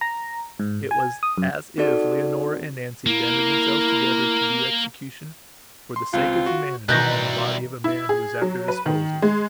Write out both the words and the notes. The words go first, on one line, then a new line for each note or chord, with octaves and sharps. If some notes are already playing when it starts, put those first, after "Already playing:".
It was as if Leonora and Nancy banded themselves together to do execution, for the sake of humanity, upon the body of a man who was at their disposal.
A#5
G#2
G#5
D#6
F#2
C4 D#4 F#4 A4 D5
A#3 E4 A#4
C6
C#2 C4 F4 F5
F#4
B2 D#3 E3 G3 E4 F#6 G6 A#6
E4
G#4
F#3
B4
D#3
G#3